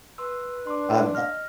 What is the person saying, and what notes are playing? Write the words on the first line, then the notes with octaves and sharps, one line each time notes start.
Um, uh
B4 C6 E6
D4 C6 D6
D#5 F6